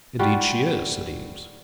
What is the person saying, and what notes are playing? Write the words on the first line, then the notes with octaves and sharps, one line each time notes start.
"Indeed she is," said Eames.
G3 F4 F#4